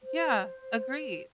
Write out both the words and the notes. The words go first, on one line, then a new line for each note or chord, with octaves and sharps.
Yeah, agreed.
C5